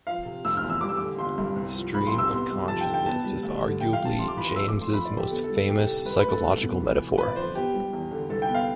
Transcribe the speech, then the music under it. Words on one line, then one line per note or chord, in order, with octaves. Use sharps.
Stream of consciousness is arguably James' most famous psychological metaphor.
F3 F5
C3
F1 E6
F6
E2
E6
G3 D6
E6
D3 D6
G1 C6
G2
C2
F3
C2 B5
C6
C3
E6
B3 C6
G3
F2 A5
G5
D3
G5
B3 A5
G3
D2
D3
F2 G5
F5
G3
A5
F2 C6
D6
E3 B5
C6
F2 E6
D6
A3
C6
F2 B5
D5
D3
G4
B3 A4
A4
G3
A4
C2 G4
C3 A4
C2 B4
B4
A3
A4
C2
B2
B3
E3
G1 B4
D5
F2 C5
B3 G4
G3
E2
D3
C2 A4
G5
B3
F5